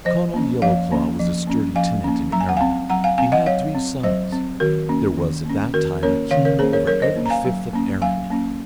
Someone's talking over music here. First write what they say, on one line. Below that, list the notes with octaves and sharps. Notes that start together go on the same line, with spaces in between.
Conall Yellowclaw was a sturdy tenant in Erin: he had three sons. There was at that time a king over every fifth of Erin.
F3 C5 D#5
A#3 C#4
F3 C#5 F5
A#3 C#4
F3
A#3 C#4
F3 F5 G#5
A#3 C#4
F#3 A#5
G#5
F#5
C4 F5 G#5
F#3 F#5 A#5
F5 G#5
C4 F5 G#5
D#5 F#5
F#3 C#5 F5
C4
F#3 C5 D#5
C4
D#3 F#4 A#4
A#3 C#4
D#3
A#3 C#4
D#3 F#4 A#4
A#3 C#4 A#4 C#5
D#3 C#5 F5
A#4 C#5
A#3 C#4 G#4 C5
A#4 C#5
F#3 A#4 C#5
C5 D#5
A#3 C#4
A#5
F5 G#5
F#3
A#3 C#4
F#3 F5 G#5
A#3 C#4